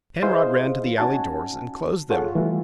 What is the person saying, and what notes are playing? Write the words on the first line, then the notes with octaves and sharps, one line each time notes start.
Penrod ran to the alley doors and closed them.
E4 G#4 B4 C5 D#5 F5
C#4 D#4 F#4 G#5 A5
F4 G#4 A4 C#5 F#5
E3 G3 A3 F4 F#4